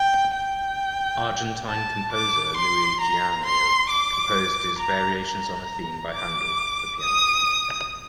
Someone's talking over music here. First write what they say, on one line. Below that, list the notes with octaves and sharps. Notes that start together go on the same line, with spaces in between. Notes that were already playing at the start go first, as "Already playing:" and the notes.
Argentine composer Luis Gianneo composed his "Variations on a Theme by Handel" for piano.
Already playing: G5
G5
A5
D6
C6
A#5
C6
D6
A#5
A#5
D6
D#6